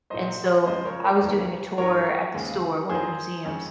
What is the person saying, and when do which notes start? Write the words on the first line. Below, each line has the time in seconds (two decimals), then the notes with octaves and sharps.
and so I was doing a tour at the store- one of the museums-
0.10 A#1 A#2 F#3 C5 D#5
0.66 F2 C#3 F3 G#3 C5 D#5
0.85 A#4 C#5
1.04 A#4 C#5
1.22 F1 D#2 D#3
1.78 G#1 G#2 F#3 A#4 C#5
2.35 D#2 C#3 G#3
2.89 F2 D#3 F#3 G#4 C5
3.45 F2 D#3 G#3 C#4